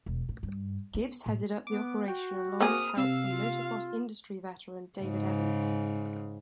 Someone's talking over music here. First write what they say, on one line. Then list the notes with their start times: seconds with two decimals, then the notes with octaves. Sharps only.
Gibbs headed up the operation along with help from motocross industry veteran David Evans.
0.06 E1
0.29 A2
0.43 G2
0.95 B3
1.26 A2
1.67 B3 D6
2.08 F#4 G5
2.61 A#3 C4 G#4 A#4 D#6 F6
2.97 C3 F5 E6
3.29 F4
4.99 G#2 C#3